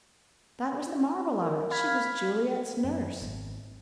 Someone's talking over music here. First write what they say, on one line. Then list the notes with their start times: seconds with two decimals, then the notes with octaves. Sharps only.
"That was the marvel of it. She was Juliet's nurse."
0.87 E4
1.42 A#4
1.71 F5 B5 F6 G#6 B6
2.84 F#2
3.22 G#1